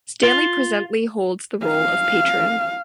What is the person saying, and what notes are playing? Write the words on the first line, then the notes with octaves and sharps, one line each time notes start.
Stanley presently holds the role of Patron.
F4
F5